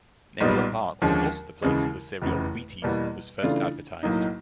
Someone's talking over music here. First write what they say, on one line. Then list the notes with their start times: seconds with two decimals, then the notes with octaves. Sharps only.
Nicollet Park was also the place that the cereal Wheaties was first advertised.
0.41 B1 A#2 G3 B3 D#4
1.02 D#2 D3 F3 G#3 C#4
1.62 D#2 C#3 E3 G#3
2.22 F1 E2 C#3 E3
2.82 E2 B2 G3 A#3
3.42 C#3 E3 A3 D4 F4
4.03 B1 A2 F#3 A#3 D#4